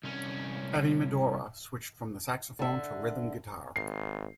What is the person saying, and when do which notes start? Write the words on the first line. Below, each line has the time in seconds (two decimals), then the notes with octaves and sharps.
Eddy Medora switched from the saxophone to rhythm guitar.
0.04 C2 C#4
2.59 D3 E5
3.76 G#1 C7